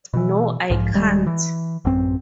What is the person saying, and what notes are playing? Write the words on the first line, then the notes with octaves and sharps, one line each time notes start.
No, I can't.
B2 E3
B1 G#2 F3
D#1 D#2 G3 G#3
E3
A1 F#2 C4